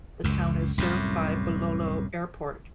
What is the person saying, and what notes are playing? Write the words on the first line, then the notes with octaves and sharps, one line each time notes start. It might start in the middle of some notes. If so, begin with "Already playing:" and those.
The town is served by Bulolo Airport.
C#2 F#2
C2 F#2 A2